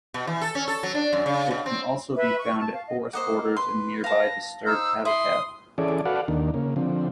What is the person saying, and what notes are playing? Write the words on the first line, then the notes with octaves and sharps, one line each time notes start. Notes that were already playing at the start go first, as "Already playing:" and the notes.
It can also be found at forest borders and nearby disturbed habitat.
B2
E3
A4
C#4
A4
F#3
D4
F#2
C#3
B2
C4
B4 E5
C#6
A5
F5
D#5
A#3 C5 D#5 F#5
B4 C6
F5 A5 A#6
D#4 C5 E6
E4 C6 D#6
E3 C#4 G#4 A4 D5
F#4 A4 B4 D5 F5 F#5
D#2 D#3 A#3 D4
C#3 A#3
D3 F3 C4